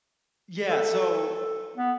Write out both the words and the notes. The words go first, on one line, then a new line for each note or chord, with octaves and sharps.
Yeah, so
A4
B3